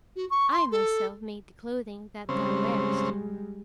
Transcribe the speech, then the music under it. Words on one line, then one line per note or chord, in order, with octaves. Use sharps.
I myself made the clothing that thou wearest.
F#4
C#6
C6
A4
C#3 G3 G#3 C4